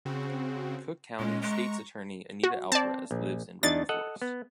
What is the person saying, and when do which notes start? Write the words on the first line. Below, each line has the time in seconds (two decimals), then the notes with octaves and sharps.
Cook County state's attorney Anita Alvarez lives in River Forest.
0.05 C#3 C4 F#4
1.19 A#2 G#3 C#4
1.42 G#3 A#5 C#6
2.43 F#4
2.72 C4 D5 A5
3.11 A#1
3.63 E2 D4 D#4 A6
3.89 A4 D#5 F#5
4.22 B3